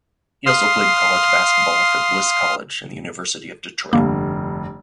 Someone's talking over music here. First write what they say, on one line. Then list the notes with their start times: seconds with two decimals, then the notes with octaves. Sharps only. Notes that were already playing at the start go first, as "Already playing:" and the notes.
He also played college basketball for Bliss College and the University of Detroit.
0.46 F5 C6 D#6 F6
3.93 F1 G2 D3 A#3